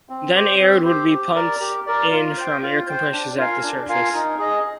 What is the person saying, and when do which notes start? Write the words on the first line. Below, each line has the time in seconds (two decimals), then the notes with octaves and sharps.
Then air would be pumped in from air compressors at the surface.
0.09 C4
0.35 G4 C5
0.60 C4
0.85 G4 C5
1.10 G4
1.35 A#4 D5
1.60 G4
1.87 A#4 D5
2.11 F4
2.37 C5 G5
2.62 F4
2.87 C5 G5
3.12 D4
3.37 F4 A#4 F5 G#5
3.63 D4
3.89 F4 A#4 F5 G#5
4.14 D#4
4.38 G#4 D#5